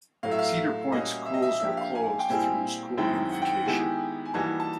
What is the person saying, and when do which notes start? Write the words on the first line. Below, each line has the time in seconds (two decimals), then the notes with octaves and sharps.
Cedar Point schools were closed through school unification.
0.23 A2 F#3 A3 F5
0.31 E5
0.39 F5
0.92 A#2 G3 A#3 C#4 F#4 D#5
1.26 E5
1.34 D#5
1.42 E5
1.60 F3 A#3 D4 G4 E5
1.77 F5
1.95 G#5
2.19 G5
2.29 A#2 G3 C4 E4 G#4 G#5
2.97 F#2 D#3 G#3 C4 E4 G5
3.32 F#5
3.42 G5
3.53 F#5
3.65 D#3 G#3 B3 E4 G4 G#5
4.25 G#5
4.34 E3 G3 A#3 D#4 F#4 A5
4.60 A5